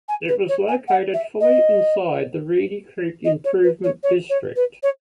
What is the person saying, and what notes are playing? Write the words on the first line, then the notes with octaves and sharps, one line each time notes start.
It was located fully inside the Reedy Creek Improvement District.
G#5
B4
C#5
G#5
F#5
E5
D#5
D#5
C#5
B4
C#5
C#5
C#5
B4
C#5